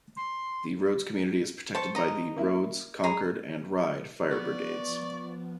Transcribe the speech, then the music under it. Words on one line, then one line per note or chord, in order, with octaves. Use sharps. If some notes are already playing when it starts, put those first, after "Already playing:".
The Rhodes community is protected by the Rhodes, Concord and Ryde Fire Brigades.
C6
C5 A5 C#6
D#5 A#5
A#3 E4
G#4 A#5
F3 B3 D5 C#6